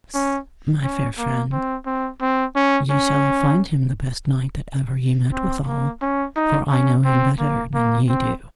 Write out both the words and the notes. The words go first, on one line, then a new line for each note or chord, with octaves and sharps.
Alas, my fair friend, ye shall find him the best knight that ever ye met withal, for I know him better than ye do.
C#4
C#4
A#3
C4
C4
C4
C#4
C#4
C4
A#3
C#4
D#4
C#4
C4
A#3
A#3
C4